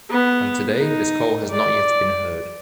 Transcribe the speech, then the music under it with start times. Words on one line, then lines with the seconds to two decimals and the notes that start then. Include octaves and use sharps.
And today, this call has not yet been heard.
0.11 B3
0.78 D#4
1.50 D5